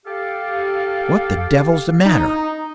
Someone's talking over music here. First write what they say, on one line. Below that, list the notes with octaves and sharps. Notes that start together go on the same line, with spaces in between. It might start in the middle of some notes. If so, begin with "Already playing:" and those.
What the devil's the matter?
G4 A4 F5
D#4